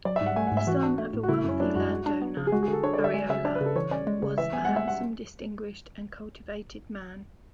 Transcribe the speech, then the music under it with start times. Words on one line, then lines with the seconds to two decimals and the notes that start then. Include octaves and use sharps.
The son of a wealthy landowner, Arriola was a handsome, distinguished and cultivated man.
0.05 F#3 D5
0.16 G#2 E5
0.26 F#5
0.36 A3 G#5
0.47 G#2 F#5
0.57 E5
0.67 E3 F#4
0.83 D4
0.98 A3
1.13 A2
1.23 F#4
1.29 C#3 E4
1.44 F#2 C#4
1.60 F#3 D4
1.75 F#2 F#4
1.91 G#3
2.06 D4
2.22 B3
2.37 C#3
2.47 G#4
2.52 G#3 F#4
2.63 G#4
2.68 D3
2.73 A4
2.83 D4 C#5
2.93 D3 D5
3.04 E5
3.14 G#3 G#5
3.30 C#3 E5
3.45 D4 D5
3.55 B4
3.61 C#3 A4
3.76 E3 C#5
3.91 C#4 D5
4.07 G#3
4.22 C#3
4.38 E3 E5
4.53 B3 G#5
4.65 G#3 F#5
4.76 E5
4.88 F#5